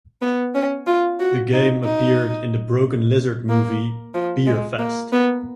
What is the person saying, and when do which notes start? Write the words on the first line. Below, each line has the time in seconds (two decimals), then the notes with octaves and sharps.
The game appeared in the Broken Lizard movie, "Beerfest".
0.22 B3
0.55 C#4
0.87 F4
1.20 F#4
1.53 D#4
1.84 D#4
3.49 A#3
4.14 F3
4.47 G#3
4.79 A#3
5.13 B3